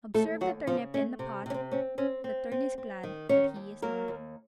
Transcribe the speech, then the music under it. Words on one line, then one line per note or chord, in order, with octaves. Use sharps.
Observe the Turnip in the pot. The Tern is glad that he is not!
D#2 A3 A4
D#2 F#3 F#4
C#3 F3 F4
A3 C#4
C3 C4
C3 C#4
C4
C4 C#4
C4 C#4
C4
C4
C4
D#3
D#3 C#4 C#5
D#2
F#3 A#3 A#4
D#2